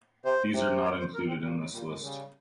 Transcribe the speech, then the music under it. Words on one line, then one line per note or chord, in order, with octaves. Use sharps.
These are not included in this list.
C3 C5
C3
C#5
C5
A#4
C4
A#2 G3
G#3
A#2 G3
G#3
C#3 G3